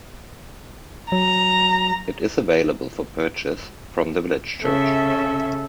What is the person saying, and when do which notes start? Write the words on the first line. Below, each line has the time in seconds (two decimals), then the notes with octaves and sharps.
It is available for purchase from the village church.
1.12 F#3 A#5
4.61 C#3 C#4 A4 E5